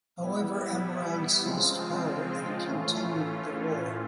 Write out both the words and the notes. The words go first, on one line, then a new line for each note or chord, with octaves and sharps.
However, Ammoron seized power and continued the war.
G3 B3 E4
C#3 F3 G#3 C4 F4
A2 E3 A3 C#4 F4